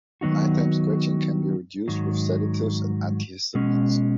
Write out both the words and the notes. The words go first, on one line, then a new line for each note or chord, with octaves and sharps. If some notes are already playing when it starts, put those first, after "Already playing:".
Nighttime scratching can be reduced with sedatives and antihistamines.
D#3 F#3 B3 D#4 F#4
G#2 D#3 F#3
B2 G#3 C#4